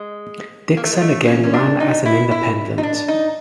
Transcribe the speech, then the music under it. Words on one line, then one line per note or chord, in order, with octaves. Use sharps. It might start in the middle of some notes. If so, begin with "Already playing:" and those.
Dixon again ran as an independent.
Already playing: G#3
A#3
A3
G#3
A3
C#4
C#4
D4
D#4
E4
E4
D#4
D4
D#4